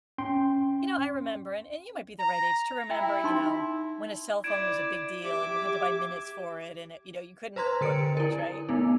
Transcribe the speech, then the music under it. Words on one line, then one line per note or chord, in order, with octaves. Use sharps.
you know, I remember and and you might be the right age to remember, you know, when a cellphone was a big deal and you had to buy minutes for it and it you know, you couldn't talk too much, right?
C#4 G5 C6
A#5
E4 G5
D#4 C6
E4 D5 G#6 D7 E7
G4 E5 D6
B4 C5 A#5 C6 G#6
D3 A#4 C#7 D7
E4 A#4
A3 B3 D#4